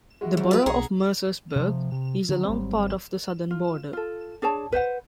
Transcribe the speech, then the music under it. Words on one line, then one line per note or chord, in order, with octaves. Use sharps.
The borough of Mercersburg is along part of the southern border.
G#3 E4 F#4
F2 F#3
F4 B4
B1 G#4 F#5 A#5
C3 F3
C3
D3 F#3
G#1 F#3 G3 C4
F4
F4 A4
D4 G#4 C#5 A5
B4 C5 F5 F#5